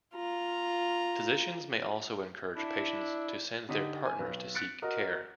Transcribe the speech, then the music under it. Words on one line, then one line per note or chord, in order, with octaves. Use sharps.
Physicians may also encourage patients to send their partners to seek care.
F4 A#5
D4 E4
D3 D#4 G4 B6 D#7
G#5
B1 B4
F#6 A6 B6 C#7 D7
F#4 A#4 D#5